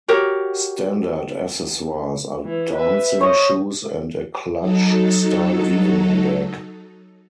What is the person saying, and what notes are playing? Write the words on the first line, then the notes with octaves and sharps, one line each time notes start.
Standard accessories are dancing shoes and a clutch style evening bag.
F#4 G4 A#4 C#5
E3
B4 E5
C5 C#5 D#5
F#3 D#4 A4